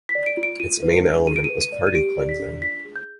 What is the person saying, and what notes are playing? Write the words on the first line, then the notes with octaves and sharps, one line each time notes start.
Its main element was party cleansing.
B6
D5
D7
F4
D7
F4 D#7
B4
D4
G#4 D#7
D7
D#7
B4
D#7
D5
D#7
G4 D7
D5
B6
D4
F4 B6
G#4
G6